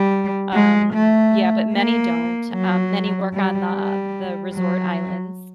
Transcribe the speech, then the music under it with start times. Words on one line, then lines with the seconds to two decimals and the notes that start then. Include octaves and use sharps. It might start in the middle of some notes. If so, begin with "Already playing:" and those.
Um, yeah, but many don't, um, many work on the the resort islands.
Already playing: G3
0.53 G#3
0.93 A3
1.74 A#3
2.54 F#3
3.33 G3
3.74 G3
4.54 F#3